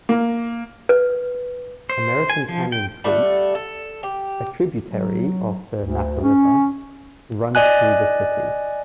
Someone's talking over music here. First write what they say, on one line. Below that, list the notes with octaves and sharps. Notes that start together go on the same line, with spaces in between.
American Canyon Creek, a tributary of the Napa River, runs through the city.
A#3
B4
C5
G#5
F3
G5
G3 A3 C5 F#5
A4
G4
F#3
D2
C#4
D5 D#5 G#5 F#6